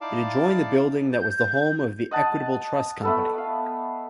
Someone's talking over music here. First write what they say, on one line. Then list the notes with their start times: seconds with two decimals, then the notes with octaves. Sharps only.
It adjoined the building that was the home of Equitable Trust Company.
0.01 D#4 E4 D5 F5 A5 D6
1.11 G6
2.11 D#5 F#5 A5
3.03 A3 B3 A4
3.38 F5